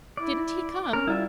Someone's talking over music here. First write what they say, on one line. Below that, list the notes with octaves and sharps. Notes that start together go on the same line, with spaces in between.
"Didn't he come?"
E4 D5
C#4 A#4
G3 E4 F4 E5